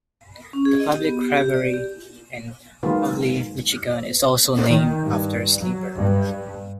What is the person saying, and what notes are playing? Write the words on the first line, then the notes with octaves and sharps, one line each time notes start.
The public library in Ubly, Michigan is also named after Sleeper.
C#4
G#4
D#5
G4
B3
G4
G4
D5
G4
D#3 F#3 G#3 A#3 F4 B4
D#3
G2
F#3
G2